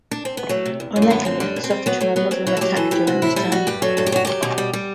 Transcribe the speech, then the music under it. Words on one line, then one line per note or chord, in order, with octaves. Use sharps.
Oneglia suffered from a Muslim attack during this time.
D4
C4
B3
F#3 A3
C3
E2
F#2
A3
D3 B3
F#2 C4
G3 D4
B2
C4
G3
F#3 B3
F#3 A3
F#3 B3
F#3 C4
F#3 E4
A4
F#3 G4
E3 A4
E3 G4
C3 F#4
A2 E4
G3 E4
G3 F#4
G2 G4
F#3 A4
G2 A4
G4
F#3 F#4
F#3 G4
B2
G3
G3